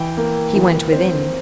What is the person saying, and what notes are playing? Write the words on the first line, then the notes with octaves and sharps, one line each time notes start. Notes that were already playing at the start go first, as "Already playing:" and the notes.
He went within.
Already playing: E3 G5
A#3
E3
C4